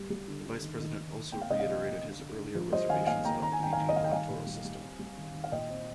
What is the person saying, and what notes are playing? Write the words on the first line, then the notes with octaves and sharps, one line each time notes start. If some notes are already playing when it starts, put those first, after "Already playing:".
The Vice-President also reiterated his earlier reservations about the Fijian electoral system.
Already playing: G3
G3
D3
D3
D#3
D#3
D#3
D#3
A#3 G5
F5
C3 D#5
D5 F5
F3
C3
D3
D3
D3
F3
G3 C5 D#5
D#3 F5 G#5
A#3 F5 G#5
A#3 G5 A#5
D#3 A#5
G#5
D#3 G5
D#3 F5 G#5
D#5
D#3 F5
G5
G3 F5 G#5
A#2
G3
G3
C4
G3
D#3
D#3
F5
A#2 D#5 G5
C4